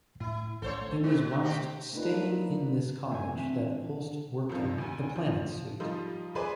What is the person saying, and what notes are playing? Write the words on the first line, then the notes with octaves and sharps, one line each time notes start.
It was whilst staying in this cottage that Holst worked on "The Planets" suite.
A2 E4
A1 A4 C5 C#5
A3
B2
C3 G4
A3 A#3 D4 D#4 F4 B4
C3 A3 A#3 D5 G#5
E3 C4 D4 E5
C#2 C3 F3
D2 G#5
F3
F3 G3 D#4 F4
G#4 B4 C5 D5 G#5